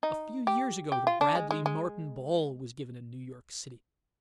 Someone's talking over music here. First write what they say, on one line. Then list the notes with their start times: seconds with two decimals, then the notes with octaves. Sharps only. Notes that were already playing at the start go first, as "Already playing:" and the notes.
A few years ago the "Bradley-Martin ball" was given in New York city.
0.03 D#4
0.47 G4
0.92 G4
1.07 F4
1.21 D4
1.35 G#3
1.51 G#3
1.66 G#3